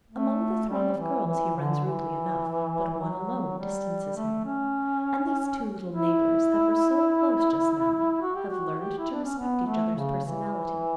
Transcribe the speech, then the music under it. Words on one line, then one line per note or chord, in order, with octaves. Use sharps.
Among the throng of girls he runs rudely enough, but one alone distances him; and these two little neighbors, that were so close just now, have learned to respect each other's personality.
A3
G3
E3
E3
D3
E3
F#3
G3
A3
C#4
E4
F#4
G4
F#4
G4
E4
D4
C#4
B3
A3
C#3
E3